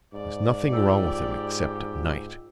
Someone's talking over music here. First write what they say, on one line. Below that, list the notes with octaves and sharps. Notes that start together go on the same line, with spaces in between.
There's nothing wrong with him except at night.
G#2 D5
F4 G4 E6